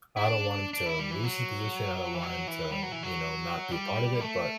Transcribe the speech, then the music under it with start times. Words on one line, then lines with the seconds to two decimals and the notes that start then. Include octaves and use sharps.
I don't want him to lose the position, I don't want him to, you know, not be a part of it, but
0.17 E4
0.24 D4
0.73 D4
0.86 E4
0.99 G3
1.11 E3
1.23 F#3
2.14 E3
2.23 F#3
2.47 E3
2.72 G3
2.83 F#3
2.92 E3
3.03 F#3
3.71 G3
4.21 A3